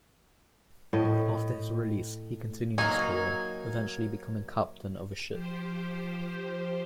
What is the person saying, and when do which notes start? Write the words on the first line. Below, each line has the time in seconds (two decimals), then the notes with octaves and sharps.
After his release he continued his career, eventually becoming captain of a ship.
0.93 A2 D#5
2.78 F#3 A#3 D#4 G#5
5.29 F3 G4 C5